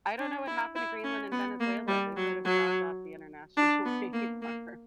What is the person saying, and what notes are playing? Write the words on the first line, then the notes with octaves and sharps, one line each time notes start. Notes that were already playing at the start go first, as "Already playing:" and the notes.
I don't know what happened to Greenland and Venezuela, they sort of dropped off the international radar.
D4
E4
E4
C#4
B3
A#3
G3
F#3
F#3
D4
B3
A#3
A#3